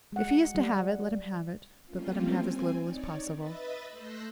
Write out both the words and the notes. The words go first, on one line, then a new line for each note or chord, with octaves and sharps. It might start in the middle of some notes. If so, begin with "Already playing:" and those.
"If he is to have it, let him have it, but let him have as little as possible."
G#3 F#5
G3
G3 A3 A#3 C4 C#4 F4
C4 G#5
D#4 C#5 D5
B4 D#5 E5 B5 A6
A3 C6 E6 F#6 G6 A#6